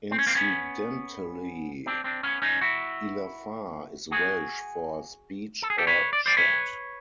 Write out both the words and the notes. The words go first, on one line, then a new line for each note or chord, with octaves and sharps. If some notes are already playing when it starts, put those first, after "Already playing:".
Incidentally, 'llafar' is Welsh for 'speech' or 'chat'.
C4
C#4
A#3 C4
B3 C#4
C4 D4
C4 D4
B3 C#4
C#4 D#4
E4 F#4
F#4 G#4
A4
G#4
G4 A4
B4 C#5
D5
C5 D5
B4 C#5